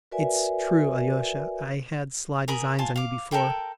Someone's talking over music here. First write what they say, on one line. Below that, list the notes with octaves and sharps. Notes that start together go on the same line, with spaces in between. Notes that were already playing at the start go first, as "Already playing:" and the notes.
It's true, Alyosha, I had sly designs on you before.
F#4 A#4 B4 D5 E5 G#5
A#4 G#5 B5 D#6
F4 G#5 A5
F5 D6
A4 A#4 G5 B5